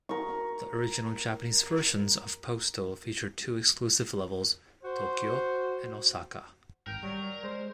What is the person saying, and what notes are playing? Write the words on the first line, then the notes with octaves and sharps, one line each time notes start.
The original Japanese versions of "Postal" featured two exclusive levels, "Tokyo" and "Osaka".
A#4 C#6
F#4 C5
G#1 A#4 G5
F#3 G3 D5
G#3 C5